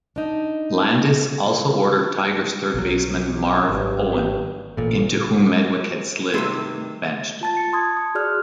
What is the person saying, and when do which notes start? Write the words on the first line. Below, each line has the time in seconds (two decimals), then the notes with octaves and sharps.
Landis also ordered Tigers third baseman Marv Owen, into whom Medwick had slid, benched.
0.16 D4 D#4
2.74 B1 F#3
3.69 G#1 G2
4.77 A1 A#2 A4
6.34 G2 C3 D#3 A3 C6 E6
7.41 F4 A5 A6
7.57 C#7
7.72 A5 C6 D#6 G#6
7.97 D#6
8.15 F#4 G#4 D5 F6 F#6